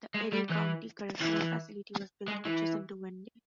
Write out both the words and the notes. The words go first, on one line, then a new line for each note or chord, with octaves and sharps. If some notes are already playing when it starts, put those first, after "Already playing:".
The Erie County Correctional Facility was built adjacent to Wende.
G#3
G3
E3
E3
G#3
E3